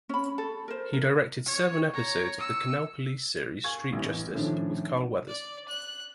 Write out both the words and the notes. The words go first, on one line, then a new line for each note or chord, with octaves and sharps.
He directed seven episodes of the Cannell police series Street Justice with Carl Weathers.
C#4 B5
A4
A#4 C5
A#4
C#5
C#5 A#5
E6 C#7
F5 G#5 C#6 G#6
A1 E3
A2 D#3 F3 C#4 D4
D5
F#6